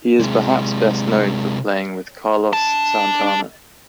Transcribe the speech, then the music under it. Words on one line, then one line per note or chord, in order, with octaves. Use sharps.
He is perhaps best known for playing with Carlos Santana.
C3 G#3
D4 A5